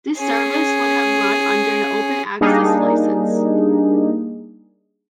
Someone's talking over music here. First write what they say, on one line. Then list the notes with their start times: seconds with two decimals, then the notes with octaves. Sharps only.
This service would have run under an "open access" licence.
0.19 C#4 G#4
2.41 G3 A#3 D4 D#4 G#4